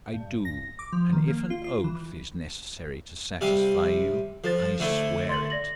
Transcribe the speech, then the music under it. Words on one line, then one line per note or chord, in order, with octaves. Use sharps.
"I do; and if an oath is necessary to satisfy you, I swear it."
G2
A#6
D6
F3
D#3
A#3
F4
F4
E3
C3 G3 F5
F3 A4 C5 A6
D3 A3 E4
C6 A6 F#7
D5 A#6 F#7